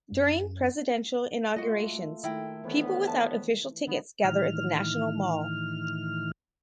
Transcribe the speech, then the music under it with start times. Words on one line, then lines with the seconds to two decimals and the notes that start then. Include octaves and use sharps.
During presidential inaugurations, people without official tickets gather at the National Mall.
0.12 F#2
1.56 A3 A#3 F4 F#4 D#5
2.24 D#3 A3 E4 A#4 G5
2.64 D2 A2 E3 B3
3.07 A5
3.87 D#3 B3 D4
4.24 A2 D#3 E3 F6